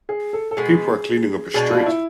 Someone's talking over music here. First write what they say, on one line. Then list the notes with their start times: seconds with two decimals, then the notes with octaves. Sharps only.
People are cleaning up a street.
0.09 G#4
0.33 A4
0.51 A4
0.57 B2 G#3 B3 G#4
1.54 B2 G#3 D4 G#4
1.70 F4
1.86 E4